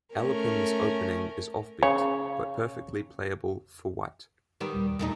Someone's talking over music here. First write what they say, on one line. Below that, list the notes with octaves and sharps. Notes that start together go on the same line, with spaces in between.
Alapin's Opening is offbeat, but perfectly playable for White.
A3 C#4 A#4
C#3 C#5
D#3 G3 B3
D#1
E1 A#2 A3 D#4